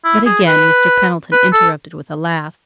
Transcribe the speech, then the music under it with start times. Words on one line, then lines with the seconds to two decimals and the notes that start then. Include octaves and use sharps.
But again Mr. Pendleton interrupted with a laugh.
0.05 E4
0.26 G#4
0.47 B4
1.32 B4
1.53 A4